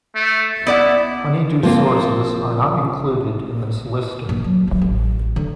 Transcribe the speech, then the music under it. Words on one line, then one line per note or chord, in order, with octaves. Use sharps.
Honeydew sources are not included in this listing.
A3
B3 E4 D5 F#5
F3 A#3 C4 F4
A#1
F#3
F#3
A1
D3